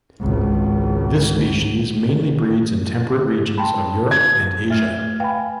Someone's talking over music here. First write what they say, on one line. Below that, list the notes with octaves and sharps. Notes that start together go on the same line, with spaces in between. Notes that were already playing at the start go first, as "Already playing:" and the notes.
This species mainly breeds in temperate regions of Europe and Asia.
G#1 C#2
G5 A5 B5 C6
G#6
A3 E5 F6 G7
B4 F5 G5 G#5 B5